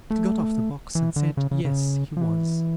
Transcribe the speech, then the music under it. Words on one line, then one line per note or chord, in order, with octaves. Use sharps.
Kit got off the box, and said yes, he was.
A3
E3
D3
C#3
C#3
C#3
F3
E3